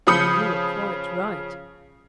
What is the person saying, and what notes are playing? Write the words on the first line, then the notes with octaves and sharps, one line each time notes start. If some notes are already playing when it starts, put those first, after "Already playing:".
'You are quite right.
C#3 F3 B5 D#6 G6 C#7